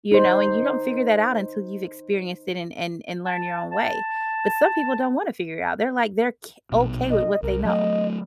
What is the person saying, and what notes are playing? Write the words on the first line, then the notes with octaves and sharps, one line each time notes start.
you know? And you don't figure that out until you've experienced it and and and learn your own way. But some people don't wanna figure it out. They're, like, they're k okay with what they know,
D#4 C5
A5
A5
A#1 B2
D#5
C2 A#4
F#3 G3 A3 D#5